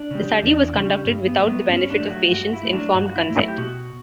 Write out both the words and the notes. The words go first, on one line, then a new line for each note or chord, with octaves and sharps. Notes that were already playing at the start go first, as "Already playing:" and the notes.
The study was conducted without the benefit of patients' informed consent.
Already playing: D4
C#3 G3
E2 D4
C#3 G3
G2
B3
F#3 A3
B3
G2 C#4
D4
F#3 A3
F#4
G2 F#4
E4
F#3 A3
D4
G2 F#4
F#4
E4
F#3 A3
E4
G4
B2 F#4